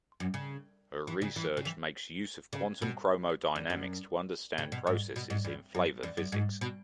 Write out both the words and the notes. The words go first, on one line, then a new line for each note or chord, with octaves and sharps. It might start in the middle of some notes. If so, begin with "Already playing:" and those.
Her research makes use of quantum chromodynamics to understand processes in flavor physics.
F#2
C#3
E3
C#3
E3
C#3
E3
C#3
B2
E2
F#2
C#3
B2
G#2
B2
G#2
E2
F#2
E2
F#2
G#2
B2